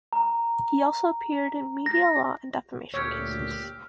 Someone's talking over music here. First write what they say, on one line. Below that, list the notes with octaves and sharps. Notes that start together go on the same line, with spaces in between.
He also appeared in media law and defamation cases.
A#5
A#6
D2 A#2 G4 C#5 E6 F6